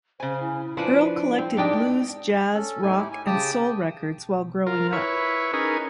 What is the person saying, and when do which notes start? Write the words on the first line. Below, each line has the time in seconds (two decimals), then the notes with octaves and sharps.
Earl collected blues, jazz, rock and soul records while growing up.
0.20 C#3 C5 G#5
0.40 E4
0.77 F3 D4 B4 C5
1.38 C4
1.57 G#2 D4 G4 D5 D#5 G5
2.54 C#4 A4
2.82 A2 A3 D#4 G#5
2.97 E4 G4
3.12 G#5
3.26 C#3 G4 G5 A5 D#6
4.67 F4 A#4
4.93 E4 B4 C#5
5.53 C#4 D#4 G#4 A#4 B4